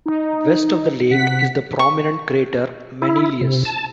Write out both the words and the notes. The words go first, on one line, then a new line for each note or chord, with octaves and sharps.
West of the lake is the prominent crater Manilius.
D#4
C3 F#5 B6
C#6
E4
C3
A5